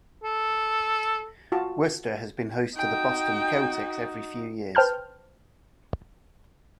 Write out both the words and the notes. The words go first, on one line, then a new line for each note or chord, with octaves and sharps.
Worcester has been host to the Boston Celtics every few years.
A4
F4 F#4 A5
D#4 F#4 G5
B4 C5 G5 A5 F6 G6